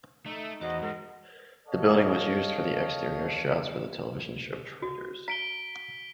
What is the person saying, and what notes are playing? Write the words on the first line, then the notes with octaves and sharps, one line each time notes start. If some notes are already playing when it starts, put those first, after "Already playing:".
The building was used for the exterior shots for the television show "Traders".
A3 D#4
E2 F#4 C5 D#5 F#5
G#2 A#4
A4 C#5 D#5 F5
F#4
A#5 B6 D7 G7